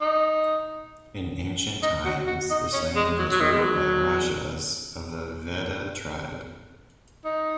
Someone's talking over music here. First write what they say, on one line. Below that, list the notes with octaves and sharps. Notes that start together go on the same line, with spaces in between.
In ancient times, this land was ruled by the Rajas of the Veda tribe.
D#4
D#4
F#4
F#4
D#4
C#4
G#3
F#3
F#3
D#3
G#3
F#3
D#4